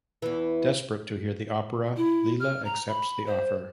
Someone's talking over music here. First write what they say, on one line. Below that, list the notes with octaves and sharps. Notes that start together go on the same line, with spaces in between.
Desperate to hear the opera, Leela accepts the offer.
E2 E3
E4
F6
A#5
B5
C5